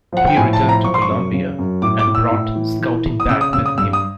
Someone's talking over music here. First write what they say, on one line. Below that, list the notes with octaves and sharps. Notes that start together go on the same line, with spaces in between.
He returned to Colombia and brought Scouting back with him.
F3 F#5
G5
A2 G#5
A5
F3
A#5
F3 C#6
C6
C#6
F#2
C#3
F#2
A2 D6
D6
A2
E6
A2
E3
E3
E3
D#6
C#3 E6
D#6
C#3 E6
D#6
G2 E6
D#6